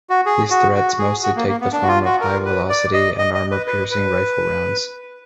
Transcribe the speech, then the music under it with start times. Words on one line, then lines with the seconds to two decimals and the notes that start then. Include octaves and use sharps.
These threats mostly take the form of high velocity and armor-piercing rifle rounds.
0.10 F#4
0.26 G#4
0.50 F#4
0.74 F#4
0.99 G#4
1.23 F#4
1.36 A#3
1.48 A#3
1.60 B3
1.73 D4
1.83 F#4
1.88 F4
2.05 F#4
2.21 A#4
2.45 B4
2.69 D5
2.93 D#5
3.18 D#5
3.34 D#5
3.51 B4
3.67 B4
3.91 B4